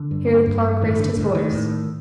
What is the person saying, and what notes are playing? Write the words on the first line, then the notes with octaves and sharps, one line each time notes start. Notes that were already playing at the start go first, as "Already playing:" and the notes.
Here the Clerk raised his voice.
Already playing: D3
G2
G2
A2 D#3
D3
A2 D3
D#3
A2